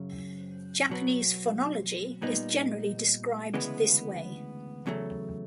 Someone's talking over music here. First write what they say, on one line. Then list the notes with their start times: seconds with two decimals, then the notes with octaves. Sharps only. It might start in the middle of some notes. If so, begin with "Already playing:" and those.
Japanese phonology is generally described this way.
Already playing: F#2 C#3 F#3
0.89 B2 F#3 B3
2.22 A#2 G3 B3 D#4
3.54 D2 C#3 E3 G#3 B3
4.86 E2 C#3 F#3 A3